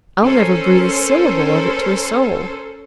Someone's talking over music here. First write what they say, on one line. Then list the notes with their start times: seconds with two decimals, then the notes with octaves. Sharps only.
I'll never breathe a syllable of it to a soul!
0.22 C#4 A4 A#4 C5 C#5